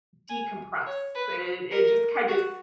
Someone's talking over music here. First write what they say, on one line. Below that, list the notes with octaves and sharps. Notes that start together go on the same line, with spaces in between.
decompress. It it just kind of, s
G#5
C#5
B4
A#4
F#4